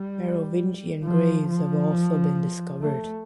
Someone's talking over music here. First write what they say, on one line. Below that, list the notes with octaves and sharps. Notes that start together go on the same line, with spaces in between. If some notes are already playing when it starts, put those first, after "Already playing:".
Merovingian graves have also been discovered.
Already playing: G3
F3
F3
A3